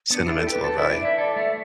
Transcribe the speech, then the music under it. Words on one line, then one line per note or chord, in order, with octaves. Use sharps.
Sentimental of value.
B3 D4
D4 E4
A4
G4 B4
A4 B4
E4 D5
D4
E4 E5
A4 D5
A3 E5